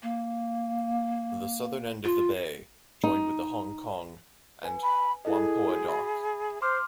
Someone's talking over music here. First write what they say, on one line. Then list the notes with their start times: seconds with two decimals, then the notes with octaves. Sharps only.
The southern end of the bay joined with the Hong Kong and Whampoa Dock.
0.03 A#3
2.04 F4
3.04 D#4
4.64 B4 G#5
4.83 B5
5.25 E4 G#4 A4 D#5
5.70 F#4
5.88 E5 B5
6.62 C5 C6 D6 F6